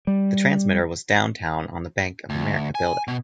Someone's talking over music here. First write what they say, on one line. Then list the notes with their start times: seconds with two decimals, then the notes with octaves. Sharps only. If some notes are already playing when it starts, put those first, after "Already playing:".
The transmitter was downtown on the Bank of America building.
0.07 G3
2.30 D2
2.75 G#5
3.08 B2